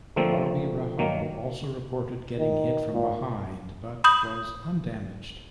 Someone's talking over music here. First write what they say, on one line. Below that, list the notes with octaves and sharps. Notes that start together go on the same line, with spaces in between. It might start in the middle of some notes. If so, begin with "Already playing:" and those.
Bobby Rahal also reported getting hit from behind, but was undamaged.
D3 F3 A3 A#3 C4
D#3 F#3 A#3
D#3
A#2
B5 D#6 G6 F#7